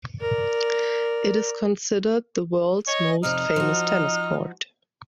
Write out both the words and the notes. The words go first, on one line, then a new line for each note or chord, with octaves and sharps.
It is considered the world's most famous tennis court.
A#4 D5
C#5 D#5
F2 C3 D#4 D5 F6
F3 F#4